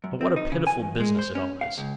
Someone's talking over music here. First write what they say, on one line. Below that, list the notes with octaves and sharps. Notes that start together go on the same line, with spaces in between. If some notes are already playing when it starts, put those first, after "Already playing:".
But what a pitiful business it all is!
F#2
C4
D#4
C#3
G#5
E2
G#3
C5
C#4
F5
C#2